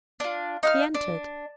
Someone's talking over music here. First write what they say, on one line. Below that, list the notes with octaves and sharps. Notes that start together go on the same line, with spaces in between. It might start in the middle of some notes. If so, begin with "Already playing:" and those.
He entered.
D4 F4
D#4 F5 F6
D4